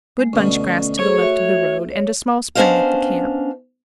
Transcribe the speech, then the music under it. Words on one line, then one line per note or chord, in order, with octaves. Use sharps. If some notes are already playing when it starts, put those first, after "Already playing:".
Good bunch-grass to the left of the road, and a small spring at the camp.
G#3
D2 B2 D3 C#4
A3 G#4 C5 C#5
F#4 E5
C#5
B3 C#4 D4 C5 D#5 F5